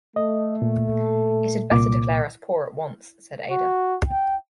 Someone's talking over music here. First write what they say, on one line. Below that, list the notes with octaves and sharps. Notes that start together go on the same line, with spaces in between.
"It had better declare us poor at once," said Ada.
A3 D#5
A#2
C2 A#2 D6
F#4
G5